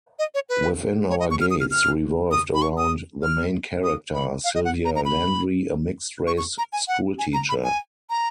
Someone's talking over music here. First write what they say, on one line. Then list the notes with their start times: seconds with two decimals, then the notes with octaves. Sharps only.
"Within Our Gates" revolved around the main character, Sylvia Landry, a mixed-race school teacher.
0.19 D#5
0.34 C#5
0.49 B4
1.10 C#5
1.20 D#5
1.31 C#6
1.41 F6
1.51 D#6
1.60 F6
1.71 F6
2.32 D#6
2.54 B5
2.62 C#6
2.78 D#6
3.23 F6
3.84 D#6
4.14 B5
4.44 F5
4.55 D#5
4.65 F#5
4.85 A#5
4.96 A#5
5.05 B5
6.27 C#6
6.38 C#6
6.58 A#5
6.73 G#5
6.88 F#5
7.19 G#5
7.34 A#5
7.49 B5
7.64 G#5
8.10 A#5